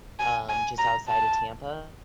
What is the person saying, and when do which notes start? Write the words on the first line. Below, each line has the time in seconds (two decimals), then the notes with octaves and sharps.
um, just outside of Tampa,
0.20 G#5
0.49 G#5
0.78 A#5
1.08 A5